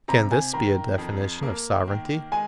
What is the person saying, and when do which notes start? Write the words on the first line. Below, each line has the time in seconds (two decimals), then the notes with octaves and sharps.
Can this be a definition of sovereignty?
0.08 C3 A#5
0.32 G#5
0.53 D#3 A#5
0.98 F2
1.43 A#3
1.88 D#3
2.32 G#3 G#5